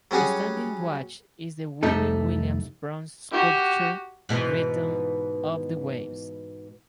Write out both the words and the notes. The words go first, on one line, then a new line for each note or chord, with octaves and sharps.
Standing watch is the Wheeler Williams' bronze sculpture Rhythm of the Waves.
F#3 G3 C#4 F#4 G#4
C2 F2 A3 D#4 A4
F#4 G4
G#2 B2 E3